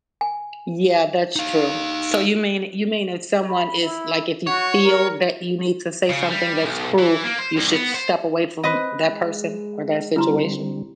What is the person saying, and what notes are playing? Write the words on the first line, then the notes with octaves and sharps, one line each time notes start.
Yeah, that's true. So you mean you mean if someone is like, if you feel that you need to say something that's cruel, you should step away from that person or that situation?
G#5
D#4 F5
B5
E4
F#4 C#5
A#4
C#3
G3
B1
E3
A#3
C5
C2
B3
C5
C4 B4 D#5
G#3
D3 G3 C4 E4 A#5 C6